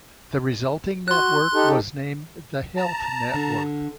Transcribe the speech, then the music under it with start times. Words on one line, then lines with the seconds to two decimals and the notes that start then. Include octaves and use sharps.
The resulting network was named The Health Network.
1.08 F#4 C6 F#6
1.54 D#4 G4 A4
2.77 A5 A#5
3.34 D3